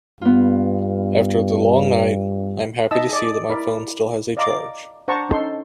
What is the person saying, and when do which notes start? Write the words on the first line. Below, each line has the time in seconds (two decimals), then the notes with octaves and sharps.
After the long night, I am happy to see that my phone still has a charge.
0.21 G2 B3 F4
2.91 D#4 D#5 E5 A5 E6
3.09 G#4 D5
3.50 E4 A#4 D5 B5
4.37 D5 D#5 F5 A#5 C6 D6
5.08 D4 C5 F#5 A5 A#5 C#6
5.29 C#4 D#4 A4 C6